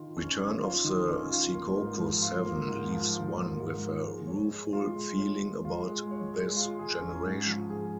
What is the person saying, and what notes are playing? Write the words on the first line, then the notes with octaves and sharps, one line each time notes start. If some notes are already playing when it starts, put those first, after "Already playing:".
"Return of the Secaucus Seven" leaves one with a rueful feeling about this generation.
Already playing: D#3 F4
C#4
C#5
F4
D#3
C#4
F4
A#3
G#2
F3
F4
A#3
G#2
F3
F4
A#3
G#2
F3
G#3
C#5
G#3
F4
G#3
C#5
G#3
F4
G#3
C#5
G#3
F4
G#4
C#4
G#2
F3
G#4